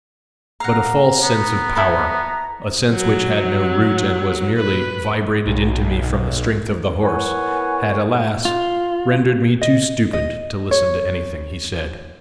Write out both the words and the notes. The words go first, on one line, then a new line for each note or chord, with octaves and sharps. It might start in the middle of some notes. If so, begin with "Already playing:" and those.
But a false sense of power, a sense which had no root and was merely vibrated into me from the strength of the horse, had, alas, rendered me too stupid to listen to anything he said!
F5 F#5 A#5
B3
E4 A4 B5
F#3
B4
B1
B3 E4 A#4 C#5 F#5 G#5
F4
D#5
D#5
C#5